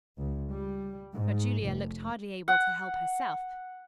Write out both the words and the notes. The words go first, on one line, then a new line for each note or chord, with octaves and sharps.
But Julia looked hardly able to help herself.
C#2
G3
G#2
F1
F#5